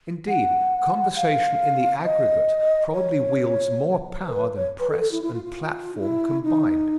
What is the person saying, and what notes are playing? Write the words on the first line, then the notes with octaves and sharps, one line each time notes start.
Indeed, conversation in the aggregate probably wields more power than press and platform combined.
F#5
F5
D#5
C#5
C5
A#4
B4
C#5
B4
A4
A4
E4
E4
F4
F4
D#4
E4
D#4